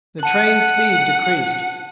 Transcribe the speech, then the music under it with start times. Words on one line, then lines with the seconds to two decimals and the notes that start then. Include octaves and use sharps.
The train's speed decreased.
0.23 F#5 A5 D#7